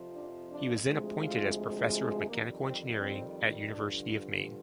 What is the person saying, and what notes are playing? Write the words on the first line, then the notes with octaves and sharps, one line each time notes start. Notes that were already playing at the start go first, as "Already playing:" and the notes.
He was then appointed as Professor of Mechanical Engineering at University of Maine.
Already playing: F2 C3 F3
D4
D4
D2 C3 F3 G#3
F4
F2 D#3 G3 A#3
C4
C4
G2 D3 F3 D4